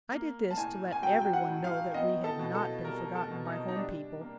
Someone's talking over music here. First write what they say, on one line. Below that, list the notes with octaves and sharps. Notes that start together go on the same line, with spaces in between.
I did this to let everyone know that we had not been forgotten by home people.
A#3
A5
A2 G#5
G#5
F#3 G5
G5
F#5
A2
F5
B3 D#5
A4
B2
A4
G3 A#4
A4
B2
D#4
D#4
G3 D4
A#3